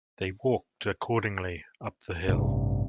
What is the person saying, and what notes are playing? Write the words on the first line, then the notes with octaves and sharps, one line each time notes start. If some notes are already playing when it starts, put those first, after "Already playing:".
They walked accordingly up the hill.
A1 G2 C3